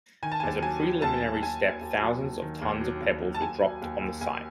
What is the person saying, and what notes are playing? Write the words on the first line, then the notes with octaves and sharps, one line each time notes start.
As a preliminary step, thousands of tons of pebbles were dropped on the site.
D#3 G#5
A5
D#2 G#5
F#3 G#5
F#3
D#2 A5
D#2
D#2 G#5
D#2
D#2
F#3
D#2
D#3
D#2
F#3
D#2
F#3
A5
D#2 G#5
F#3
D#2
D#2
D#2 G#5